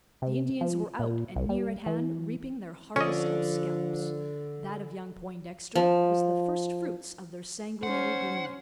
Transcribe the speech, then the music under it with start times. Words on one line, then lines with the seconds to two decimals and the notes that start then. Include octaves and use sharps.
The Indians were out, and near at hand, reaping their harvest of scalps! That of young Poindexter was the firstfruits of their sanguinary gleaning!
0.22 C3
0.61 F3
0.99 A#2
1.36 C2
1.49 G3
1.86 E3
2.96 D3 F3 C#4 D#5
5.76 F3
7.83 C#4 C5 F#5